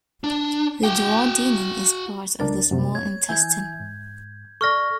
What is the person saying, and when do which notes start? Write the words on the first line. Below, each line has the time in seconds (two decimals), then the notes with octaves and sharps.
The Duodenum is part of the small intestine.
0.24 D4
0.83 F#4 G5
2.40 C#2 D4 A#4 A6
2.71 F#2 C3 A#3
2.95 C#5 G#6
3.29 E3 E5 G#5 G6 G#6
3.80 G#2
4.61 A4 D5 C#6 F6 A#6